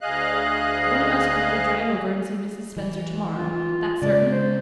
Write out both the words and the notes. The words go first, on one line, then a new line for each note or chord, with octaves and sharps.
One of us will have to drive over and see Mrs. Spencer tomorrow, that's certain.
D2 G#4 D#5 F5 F#6
E3
F4
C#3 G#3 D5
C5